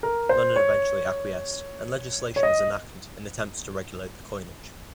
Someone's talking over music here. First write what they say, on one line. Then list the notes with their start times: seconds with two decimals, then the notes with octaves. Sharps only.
London eventually acquiesced and legislation was enacted in attempts to regulate the coinage.
0.03 A#4
0.29 C5
0.56 C#5
2.36 C#5
2.43 D#5